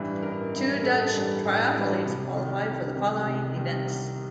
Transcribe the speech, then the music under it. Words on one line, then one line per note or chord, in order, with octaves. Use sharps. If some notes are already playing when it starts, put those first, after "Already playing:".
Two Dutch triathletes qualified for the following events.
Already playing: A1 G2 E3 G3
A1 A#4
G2 E3 G3
A#4
A1 A4
G2 E3 G3
A1
G2 E3 G3
C2
C3 D#3 G3
C2
C3 D#3 G3
C2
C3 D#3 G3
C2